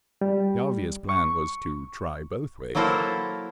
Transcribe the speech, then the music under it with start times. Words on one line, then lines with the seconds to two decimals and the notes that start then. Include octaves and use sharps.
The obvious plan was to try both ways.
0.21 G3
1.09 C#6
2.75 F#3 A#3 E4 A4 A#4 C5